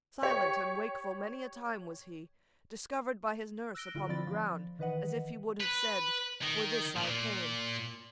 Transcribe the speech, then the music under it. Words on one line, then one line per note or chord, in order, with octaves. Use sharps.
Silent and wakeful many a time was he Discovered by his nurse upon the ground, As if he would have said, 'For this I came.'
G4 C#5
E6 F#6 A#6 D7 G7
D3 E4 F4
D3 F3 C4 D5 B5 A6
F3
D#3 E3 B4 D#5 F#5
B4
D#3
A#2